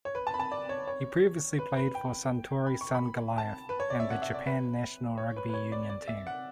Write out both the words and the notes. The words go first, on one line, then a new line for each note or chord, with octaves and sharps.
He previously played for Suntory Sungoliath and the Japan national rugby union team.
C#5
B4
A5
B5
A5
D5
C#5
C#5
B4
B4
G5
B5
C#6
B5
A5
B4
C#5
D5
E5
F#5
E5
D5
B4
C#5
B4
B4
C#5
D5
D5
E5
F#5